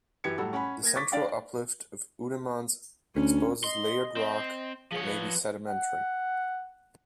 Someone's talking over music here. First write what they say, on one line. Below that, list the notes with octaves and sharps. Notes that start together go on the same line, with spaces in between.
The central uplift of Oudemans exposes layered rock that may be sedimentary.
F#2 E3 G4 G#6 C#7
A2 F#3 G3 F#4 A4
C#4 F#5 G#5 B5
A#3 G#6 A#6
C#6 D6 A6 B6
D4 D5 F5 G5
D2 C#4
D#5 C6
C4
F3 G#4 C#5
B4
F#5